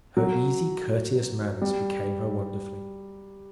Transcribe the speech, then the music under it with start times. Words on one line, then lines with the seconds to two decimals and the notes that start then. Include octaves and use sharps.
Her easy, courteous manners became her wonderfully.
0.17 F#3
1.62 G3